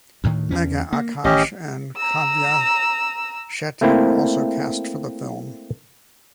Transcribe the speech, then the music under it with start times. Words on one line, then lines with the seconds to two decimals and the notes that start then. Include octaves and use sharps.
Megha Akash and Kavya Shetty were also cast for the film.
0.24 D2 A2 D#3
0.51 E2 C#4
0.93 A#3
1.24 A1 D#3 C#4 G4 D#5
1.97 A#5 E6
3.81 A3 A#3 C4 E4